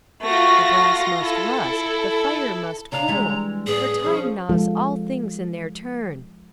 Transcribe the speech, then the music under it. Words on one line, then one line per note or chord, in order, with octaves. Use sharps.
The brass must rust, the fire must cool, for time gnaws all things in their turn.
A3 F4 F#4 A#6
E4 A4
E4
C#3 D4 F5 A#5
E3 G3 G#3
A2 B3 D4 G#4
F3 C#4 C5
F3 G#3 F4 A4